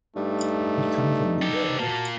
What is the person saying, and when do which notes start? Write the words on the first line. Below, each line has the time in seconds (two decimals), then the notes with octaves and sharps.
We come from Búger.
0.16 G2 A3 D#4
1.42 G4 A4
1.79 A#2 A#3 F#4 A5